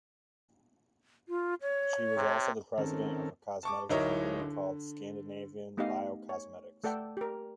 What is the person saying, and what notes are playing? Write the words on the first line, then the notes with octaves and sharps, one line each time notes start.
She also was the president of a cosmetics company called Scandinavian Biocosmetics.
F4
C#5
C3
D#3 C4 C#4 A4 A#4
A5 C#6 D6
D1 F#3 D#4 E4 A#4 C#5
D3
A3 B3 D#4 G4 D#5 F5
C#5
A3 A4 D5 F#5 G5
G4 A#4